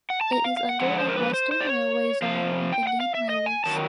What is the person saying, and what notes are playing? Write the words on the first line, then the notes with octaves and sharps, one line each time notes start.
It is under of Western Railway zone of Indian Railways.
F#5
A5
A#5
F5
F5
F#5
D3 F3 G#3 F#5
C5
A#4
B4
C5
C5
D5
C#5
C3 F3 F5
G5
F#5
F5
E5
D#5
G#5
D#3 F#3 A5